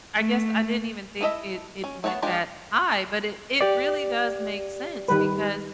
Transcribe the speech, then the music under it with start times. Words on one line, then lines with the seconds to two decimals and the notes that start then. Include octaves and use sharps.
I guess I didn't even think it it went that high but it it really does make sense because,
0.16 A3
1.21 B3 E4 A4 D#5 E5
1.84 C#4
2.04 A3 B3 C#5 F#5 A5
2.22 F3 G#3 D4 F4 G4
3.61 G4 D5
5.08 D#3 G3 B4